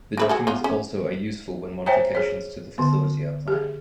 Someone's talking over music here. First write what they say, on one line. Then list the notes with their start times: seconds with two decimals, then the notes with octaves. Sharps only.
The documents also are useful when modifications to the facility are planned.
0.17 C#3 B4 E5
0.29 F#4 G#4 A4
0.47 B3 F4
0.64 C#4
1.86 C5 C#5 E5 G5 G#5 A#5
2.15 G#4 C#5
2.78 D3 B3
3.48 G4 G#4